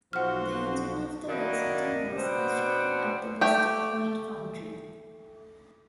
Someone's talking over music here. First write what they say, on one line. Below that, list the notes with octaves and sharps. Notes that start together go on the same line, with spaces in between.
The engine of the "Lexington" was constructed at the West Point Foundry.
B1 F3 F#4 C5 F#5 F6
D#3 F#3 A#3 D4 E4 D#5
B2 B3 D4 C5 F#5 G5
A3 G4